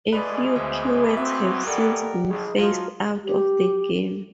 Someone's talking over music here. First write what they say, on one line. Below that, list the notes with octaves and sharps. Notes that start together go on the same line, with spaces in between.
A few keywords have since been phased out of the game.
G2 B2 E3 G#3 B4 D5
D2 C5
C4 F#4 E5
G4 A4 A#4 D5 F#5
G#1 D#4 G#4
F3 F#3 G#3 F4
G4